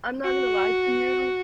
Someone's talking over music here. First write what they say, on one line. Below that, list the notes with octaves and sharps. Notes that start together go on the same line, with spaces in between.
I'm not gonna lie to you.
F#4